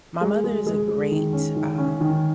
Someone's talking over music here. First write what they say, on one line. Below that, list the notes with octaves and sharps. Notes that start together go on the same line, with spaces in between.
my mother is a great, um,
G#3
G#3
G#3
G#3
D#3
C#4
D#3
C#4
D#3